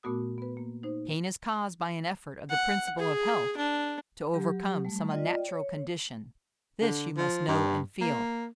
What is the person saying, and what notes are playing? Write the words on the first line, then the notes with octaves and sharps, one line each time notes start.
Pain is caused by an effort of the Principle of Health to overcome some unnatural condition; this you must know and feel.
A#2 A3 B3 F#4 D#6
B3 B4
A#3
D#4 C5
F#5
G#4
D4
F#3 G4
G3 A3
F4 D5 D#5 G5
C#5
D3
F3
G2
A#3